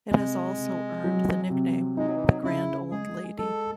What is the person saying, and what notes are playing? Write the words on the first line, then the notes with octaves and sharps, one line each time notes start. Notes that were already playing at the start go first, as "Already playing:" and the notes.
It has also earned the nickname, "The Grand Old Lady".
C3 G#3
C3
F#3
C3
G#3 D#4
F#3
E3
F#3
C#3 E4
G#3 G#4
G#3 A4